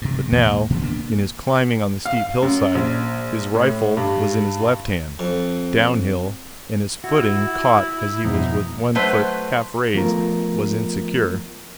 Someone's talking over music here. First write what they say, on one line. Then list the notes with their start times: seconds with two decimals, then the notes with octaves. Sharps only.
But now, in his climbing on the steep hillside, his rifle was in his left hand, downhill, and his footing, caught as he was with one foot half raised, was insecure.
0.02 G2 C3
0.32 D#2 A#2 A#3
0.70 A#2 D3 F#3 A3
0.82 D#1 A#3 B3 D4
2.05 F5
2.42 F#2
2.75 A#1
3.55 A2
3.97 G2
5.19 F2
7.04 E4 F#4
8.24 F2 B2 D#4 E4
8.95 F#3 A3 B4 C5
9.95 F3 A3 B3 F4 A#4 A#5